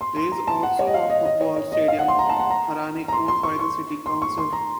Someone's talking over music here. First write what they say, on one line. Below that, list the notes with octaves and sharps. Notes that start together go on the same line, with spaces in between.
There is also a football stadium, "Harane", owned by the city council.
C6
C6
A#5
A5
F#5
C#5
D#5
F5
D#5
D#5
C#5
C#5
D#5
F5
F#5
C6
A#5
A5
F#5
A#5
A#5
C6
C6
C#6
C#6
C6
C#6
C6
A#5